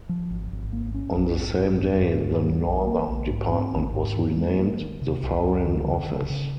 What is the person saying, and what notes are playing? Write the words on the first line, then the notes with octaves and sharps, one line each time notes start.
On the same day, the Northern Department was renamed the Foreign Office.
F3
G#1
G#1
A#3
C#4
A#1
G#2
G1
F2
G#2
G#2
G3
A#1
A#3
A#1
G#2
C4
G#1
G#2
D#3
G#3
A#3
D#3
C3
C2
C#2
D#3
C#3
C#3
C#3